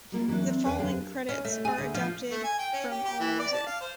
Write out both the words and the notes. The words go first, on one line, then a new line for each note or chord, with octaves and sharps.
The following credits are adapted from AllMusic.
G3 A#3 F4
E3 F#3 G3 C#4 D4
C4
E2 B4 F5 G5 G#5
F#2 D3 D4 G4 F5
C#4
A3
G#4
D2
F3
A3
G#5
G5
C#4
G4
G4
E3
D5
A5
F5
C5